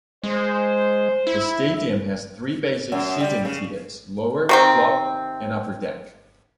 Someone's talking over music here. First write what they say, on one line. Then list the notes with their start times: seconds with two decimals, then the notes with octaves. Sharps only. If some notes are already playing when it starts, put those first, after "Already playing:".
The stadium has three basic seating tiers: lower, club and upper deck.
0.24 G#3 C5
1.27 E4
2.92 F#2
3.20 G3
3.45 C#3
4.49 C3 D#3 C4